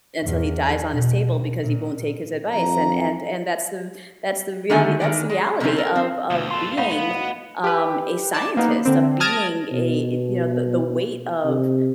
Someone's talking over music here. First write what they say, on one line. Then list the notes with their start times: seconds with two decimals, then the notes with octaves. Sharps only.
until dies on his table because he won't take his advice, and and and that's the that's the real rea that's the reality of of being, um, a scientist, of being a you know, the the weight of
0.24 E2
0.90 B2
1.60 A#2
2.51 F2 A#5
4.70 D3 D#3 A3 B3 F#4 G#5
5.00 D#3 E3 G#3 D5
5.30 G#3
5.60 F2 C3 G3 C4 C#4 D#4
5.76 A4 A#4
5.95 C4
6.31 D2 B2
6.51 F4 A4 C6
6.78 A3 D#4 F5 F#5 B5
6.92 B3
7.10 F#4 D#5
7.64 G4 B4
8.34 D5 A5
8.57 A#3 B3 D#4
8.85 D3 C4
9.20 A5 D#6 F6 G#6 A#6 D7
9.72 B2
11.44 C3